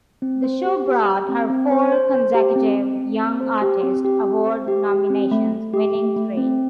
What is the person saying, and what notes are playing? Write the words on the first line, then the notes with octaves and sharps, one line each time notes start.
The show brought her four consecutive Young Artist Award nominations, winning three.
C4
C5
G4
G4
G4
C4
C4
C5
C5
C5
G4
C4
C4
C4
C4
C5
G4
C4
G4
C4
C5
G4
G4
C4
A3
A3
G4
A3
A3
C4